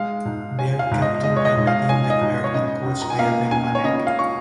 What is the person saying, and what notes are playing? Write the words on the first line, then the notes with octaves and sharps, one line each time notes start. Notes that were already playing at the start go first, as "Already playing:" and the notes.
They are captained by Nadine de Klerk and coached by Adele van Eck.
Already playing: G#3 F5
G#2
C#4 G#5
F5
G#2
D#5
G#3 D#5
C#5
D#5
G#2
F5
C#4 G#5
D#5
G#2
C#5
C#3 D#5
C#2
A#5
G#5
A#3 F5
C#2 G#5
C#5
C#3 D#5
F5
C#6